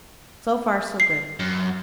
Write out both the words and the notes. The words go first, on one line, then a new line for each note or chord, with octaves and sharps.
So far, so good.
C7
F#2